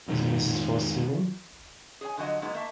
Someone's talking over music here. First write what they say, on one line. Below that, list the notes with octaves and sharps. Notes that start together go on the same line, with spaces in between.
Is Mrs. Foster in?
F2 G#2 D#3
G#4 C#5 G#5
D3 F3 F#3 D#5
F#3 G#3 A#3 B3 D#4
A3 A#3 E5 A5